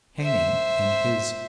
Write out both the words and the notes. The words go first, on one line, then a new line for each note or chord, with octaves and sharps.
Heine in his.
C5 E5